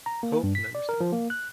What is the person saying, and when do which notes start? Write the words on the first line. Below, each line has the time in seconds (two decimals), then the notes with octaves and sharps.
Hope and understanding,
0.06 A#5
0.23 A#3
0.43 G2
0.55 B6
0.75 D5
0.89 A#4
1.01 F3
1.13 A#3
1.30 F#6